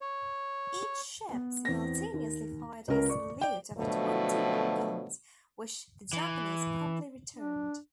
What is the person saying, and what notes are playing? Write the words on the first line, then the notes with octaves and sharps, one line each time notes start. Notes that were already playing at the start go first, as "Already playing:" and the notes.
Each ship simultaneously fired a salute of twenty-one guns, which the Japanese promptly returned.
C#5
B3
E2 C4 A#6
D#2
C#2 C#4 A#4
D5 C#6
D5 G5
B2 D3 F3 F#3 A3
E3
D4